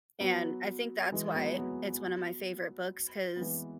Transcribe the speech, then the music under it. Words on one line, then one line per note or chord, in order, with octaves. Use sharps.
And I think that's why it's one a my favorite books 'cause
F#3 B3
E3 G#3
F#3 B3
F#3 B3
B3
E3 G#3